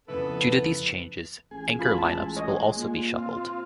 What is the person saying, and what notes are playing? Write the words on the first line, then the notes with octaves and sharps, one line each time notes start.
Due to these changes, anchor lineups will also be shuffled.
F2 C#3 B3 E4 A4 B4
A1 G#4
F4 B5
G#3 A5
C#5 D#5
A#2
C4 F4